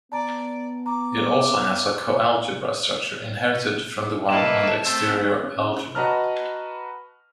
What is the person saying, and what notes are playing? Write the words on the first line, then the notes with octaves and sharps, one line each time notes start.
It also has a coalgebra structure inherited from the one on the exterior algebra.
B3 D5 A5 A#5
A#5 D6
A#3 E4 B4 D#5 A5
A3 C4 E6
C#4
F#4 B4 D#5 A5 A#5 F6